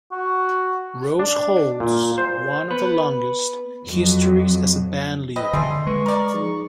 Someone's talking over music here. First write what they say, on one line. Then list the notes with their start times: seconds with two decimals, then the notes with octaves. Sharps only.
Rose holds one of the longest histories as a band leader.
0.12 F#4
1.19 D4
1.80 A#2
2.18 C5
2.71 B3 B4
3.83 F2 F#3
5.36 C4 B4 D#5
5.53 D3 A3 G#4 D#5 C6 C7
5.87 G#3 B4 C#6
6.06 A#4 D5
6.34 F3 D#4 G#4